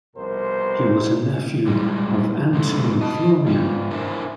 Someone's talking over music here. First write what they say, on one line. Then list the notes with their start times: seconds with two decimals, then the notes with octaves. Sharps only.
He was a nephew of Anton Florian.
0.16 C2 F2 B2 A#4 C5
1.66 A#2 G3 G#3
2.53 B2 G#3 C4 D#4 A4
3.01 D#5 A5
3.47 G#2 F4
3.91 D4 E4 A#4 C5 E5 G#5